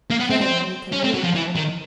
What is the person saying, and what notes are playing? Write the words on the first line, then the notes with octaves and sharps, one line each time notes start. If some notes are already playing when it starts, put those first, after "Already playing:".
Then you can look.
A#3
B3
C4
C4
C#4
C4
F#3
F3
E3
D#3